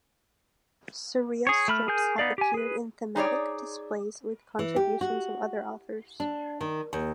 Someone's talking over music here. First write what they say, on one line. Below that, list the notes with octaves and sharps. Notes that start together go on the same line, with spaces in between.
Soria’s strips have appeared in thematic displays with contributions of other authors.
G#4 C#5
A3 B5 F6
G#4 A#4 G#5 G6
B3 D#4 D5 F5
G4 G#5
G#4 B4
D#4 G#4 C#5 D5
E3
G4
F#4
D4
D#3
D#2